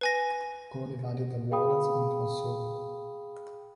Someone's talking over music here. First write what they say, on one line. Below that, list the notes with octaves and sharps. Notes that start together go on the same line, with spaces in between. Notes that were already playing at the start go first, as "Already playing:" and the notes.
God divided the waters and it was so.
B4 G#5 A#6
G#4 F5 G5 B5 D#6